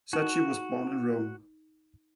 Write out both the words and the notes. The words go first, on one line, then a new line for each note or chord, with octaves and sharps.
Sacchi was born in Rome.
D#4 F#4